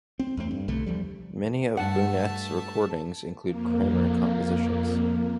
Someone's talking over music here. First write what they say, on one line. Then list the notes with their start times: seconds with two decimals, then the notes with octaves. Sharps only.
Many of Bunnett's recordings include Cramer compositions.
0.19 C4
0.37 E2 A3 C4
0.51 G2
0.68 B1 D3 A3
0.86 E2 F3 G3
1.77 G2 A3 F#5 A5
3.43 F2 A#3